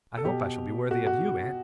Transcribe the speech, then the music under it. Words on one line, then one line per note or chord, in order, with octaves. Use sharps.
'I hope I shall be worthy of YOU, aunt.
A4
B2 G4
F#4
F#4